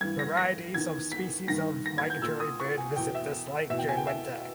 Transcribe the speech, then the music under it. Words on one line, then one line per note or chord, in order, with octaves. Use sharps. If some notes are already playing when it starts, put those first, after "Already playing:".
Varieties of species of migratory bird visit this lake during winter.
G2 E3 G#6
A#6
A#6
E2 D#3 G#6
B6
G2 D#3 A#6
A#6
G#6
G6
A#2 E6
D#6
C#6
G#5
E2 B2 G5
E5
E2 B2 E5
G5
G#5
G5
E5